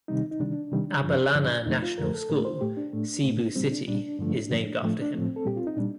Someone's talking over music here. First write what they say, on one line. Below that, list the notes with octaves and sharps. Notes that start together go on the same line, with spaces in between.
Abellana National School, Cebu City is named after him.
C3 D#3 G3 D#4
D#4
C3 D#3 G3 D4
C3 D#3 G3
G2 D3 F3
G2 D3 F3
F2 D3 F3 A3 D#4
F4
F2 D3 F3 A3 A#4
A4
A2 A3 A#4
C5
A2 A3 G4
D4
A2 A3
A2 A3
A#2 G3 C4
D4
A#2 G3 D4
G2 D3 F3 A3
G2 D3 F3 A3
A2 F3 A3
D4
A2 F3 A3 C4
A4
A#2 G3 G4
F4
D#4
A#2 G3 D4